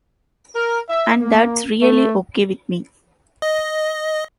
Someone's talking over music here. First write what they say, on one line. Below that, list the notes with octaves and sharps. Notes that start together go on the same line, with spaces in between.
And, that's really okay with me.
A#4
E5
A#3
A3
D#5